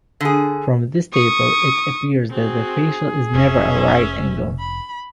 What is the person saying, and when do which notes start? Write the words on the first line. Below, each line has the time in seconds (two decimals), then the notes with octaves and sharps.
From this table it appears that the facial is never a right angle.
0.21 D3 G#4
1.14 C#6 D#6
2.30 C4 F#4 G#4
3.34 F1 C#4 E5
4.59 B5